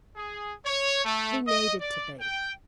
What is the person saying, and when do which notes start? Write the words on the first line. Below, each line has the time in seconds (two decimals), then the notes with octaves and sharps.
He needed to be.
0.16 G#4
0.65 C#5
1.05 A3
1.46 D#5
1.80 D5
2.21 G5